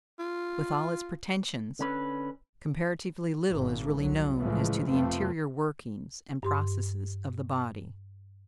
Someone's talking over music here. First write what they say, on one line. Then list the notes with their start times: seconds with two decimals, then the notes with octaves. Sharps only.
With all its pretensions, comparatively little is really known as to the interior workings and processes of the body.
0.19 F4
1.79 D3 C#4 B4
3.49 G#1 G#2
3.93 C2 F#3
4.39 A2 C#3 E3 F3 G#3 A3
4.88 F2 C3 F3 A3 B3 C4
6.43 G2 G4 C6